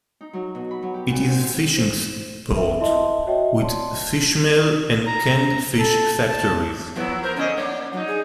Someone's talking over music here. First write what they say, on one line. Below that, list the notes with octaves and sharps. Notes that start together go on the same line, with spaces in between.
It is a fishing port, with fishmeal and canned fish factories.
D#4
F#3
B2
B5
F#3
G4
A#2
C5
D3
C5 E7
B4 E5
E4 D#5 E5 A5 C6
F#4 C#5 D#5 E5 G5
D5 A5 C6
A#5
A4
A5
F3 F#3 B3 E4
A#4 C5
D3 C#4 D#5
A#3 D4 C#5
F#3 D4 D#4
G#4